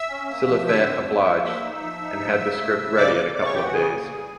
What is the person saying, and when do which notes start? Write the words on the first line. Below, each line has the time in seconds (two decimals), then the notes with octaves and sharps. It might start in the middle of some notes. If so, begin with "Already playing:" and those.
Silliphant obliged, and had the script ready in a couple of days.
Already playing: E5 E6
0.09 C#4
0.29 A#3
0.48 F3
0.67 D3 E5 E6
0.86 C4
1.06 F3
1.24 F3
1.43 A#3 E5 E6
1.63 D#4
1.82 F3
2.01 D#4
2.20 F3
2.39 C#3
2.59 A3
2.78 C#3
2.97 C#3 D5 D6
3.16 C#3
3.36 C#3 D5 D6
3.45 C#5 C#6
3.55 E3 G4 G5
3.64 F#4 F#5
3.74 C#3 G#4 G#5
3.93 A#3
4.12 G3